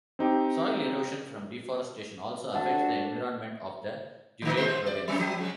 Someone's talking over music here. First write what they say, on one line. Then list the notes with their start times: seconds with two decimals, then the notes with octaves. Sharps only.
Soil erosion from deforestation also affects the environment of the Duarte Province.
0.19 C4 D#4 G4 G5
2.54 D4 F#4 A4 F#5 A5
4.42 D3 F3
4.57 D#2 G#3 C5
4.86 D5
5.08 F#3 A3 C#4
5.19 F3
5.38 C#3 G#3